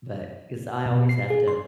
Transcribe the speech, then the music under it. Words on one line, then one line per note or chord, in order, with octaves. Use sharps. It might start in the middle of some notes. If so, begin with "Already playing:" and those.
but 'cause I always have to,
B2
C7
G#4
C6